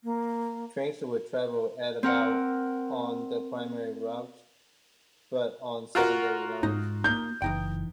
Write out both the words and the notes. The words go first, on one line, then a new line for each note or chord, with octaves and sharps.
Trains would travel at about on the primary routes, but on secondary lines.
A#3
C4 A#4 F#5
F4 F#4 A#4
G#2 D#4
A#3 D#4 G6
F#1 E3 D#4 G5